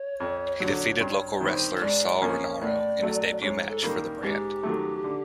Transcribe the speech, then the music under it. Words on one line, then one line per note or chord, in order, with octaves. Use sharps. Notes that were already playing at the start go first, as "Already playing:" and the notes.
He defeated local wrestler Sal Rinauro in his debut match for the brand.
Already playing: C#5
F2
D3 F#3
G2
D#3 G3 C4
G#2 D5
D5
F3 A#3 C#4 C#5
A2 D5
F#3 A3
G#2 C#5
A4
D#3 G3 A#3
G#2 G4
D#3 F#3 A3
D3